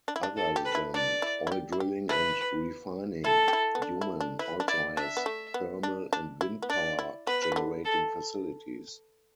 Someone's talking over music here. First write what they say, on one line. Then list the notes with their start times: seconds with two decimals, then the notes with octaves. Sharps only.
Other than oil drilling and refining, Yumen also has thermal and wind power-generating facilities.
0.08 D4
0.16 E4
0.23 D4
0.37 A4
0.56 G4
0.65 B4
0.75 E4
0.94 D4 D5
1.22 E4
1.47 E4
1.52 G4
1.72 E4
1.80 G4
2.09 E4 B4
3.24 E4 A4
3.48 G4
3.53 E4
3.75 B3
3.82 D4
4.01 E4
4.20 D4
4.39 E4 B4
4.60 D4
4.68 E4 D5
4.97 D4 E5
5.17 B3
5.26 A3
5.54 B3
5.83 D4
6.13 D4
6.41 E4
6.62 B3
6.70 D4 D5
6.99 E4
7.27 B3 B4
7.52 E3
7.56 D3
7.85 A4